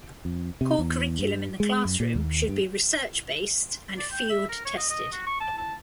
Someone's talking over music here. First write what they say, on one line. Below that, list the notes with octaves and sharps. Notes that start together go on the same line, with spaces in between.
Core curriculum in the classroom should be research-based and field tested.
F2
C3
E2
G2
G#3
F#2
A#2
D#2
G2
D5
G5
E5
A#4
C#5
D#5
D#5
F#4
C#6
A5
A5